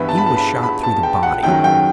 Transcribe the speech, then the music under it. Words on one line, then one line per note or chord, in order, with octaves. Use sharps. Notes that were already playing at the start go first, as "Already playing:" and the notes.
He was shot through the body.
Already playing: G2 E3 B3 E4 B5
A5
B5
A5
B5
B5
A5
G5
F#5
F#2 D#3 F#3 G5
G5